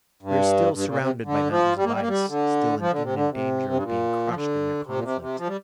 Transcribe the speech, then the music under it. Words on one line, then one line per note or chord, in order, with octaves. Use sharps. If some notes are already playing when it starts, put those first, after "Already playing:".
We are still surrounded by mountains of ice, still in imminent danger of being crushed in their conflict.
G2
G2
A#2
C3
D3
F3
G3
A#3
G3
A#3
G3
D3
F3
D3
C3
D3
C3
G2
A#2
F3
D3
C3
A#2
C3
C3
F3
G3